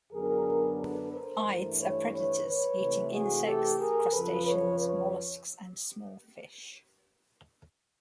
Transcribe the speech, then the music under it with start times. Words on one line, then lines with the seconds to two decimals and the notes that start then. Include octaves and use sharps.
Ides are predators, eating insects, crustaceans, molluscs, and small fish.
0.12 F#2 D3 F#3 B3 D4 G#4 A#4
0.79 A4 B4
1.12 A#4 C5
1.45 G2 E3 A3
1.78 B4 C#5
2.11 B4 C#5
2.45 B4 C#5
2.78 C3 E3 A3
3.11 F#4 G#4
3.44 G4 A4
3.79 G#4 A#4
4.11 F2 C#3 F3 A4 B4
4.45 B4 C#5
4.79 B4 C#5